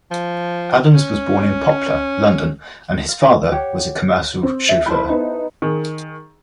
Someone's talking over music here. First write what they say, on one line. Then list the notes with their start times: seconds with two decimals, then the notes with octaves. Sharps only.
Adams was born in Poplar, London, and his father was a commercial chauffeur.
0.11 F3
0.94 C#4
3.09 F5
3.52 G4 C#5 F#5
4.43 C4
4.69 E5
4.86 E4 A4 C5 B5
5.09 B3 D#4
5.62 D#3 G#4